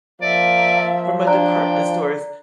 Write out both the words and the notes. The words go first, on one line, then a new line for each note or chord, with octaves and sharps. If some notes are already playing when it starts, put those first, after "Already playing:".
from a department stores,
F3 A#3 D5 E5
D4 D5 G5 A#5 F#6